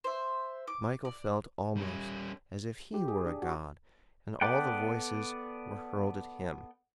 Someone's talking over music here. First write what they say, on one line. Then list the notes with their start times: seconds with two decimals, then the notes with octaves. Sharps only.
Michael felt almost as if he were a god, and all the voices were hurled at him.
0.04 C5 E5
0.67 D6
1.05 D5
1.77 G3 C#4
2.94 G4
3.08 G#4
3.26 D4
3.42 F#4
4.41 B3 A4 D5 F#5 G5